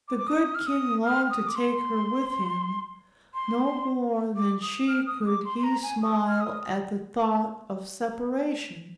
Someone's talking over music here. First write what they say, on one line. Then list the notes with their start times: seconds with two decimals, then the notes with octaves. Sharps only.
The good king longed to take her with him; no more than she could he smile at the thought of separation.
0.08 D6
0.18 D6
0.28 D#6
0.55 F6
0.67 D#6
1.04 F6
1.30 D#6
1.47 D6
1.56 C6
3.34 C6
4.37 D6
4.62 D#6
4.88 F6
5.06 D#6
5.26 D6
5.45 C6
5.59 C6
5.64 A#5
5.83 G#5
6.02 D#6
6.29 F6
6.41 D#6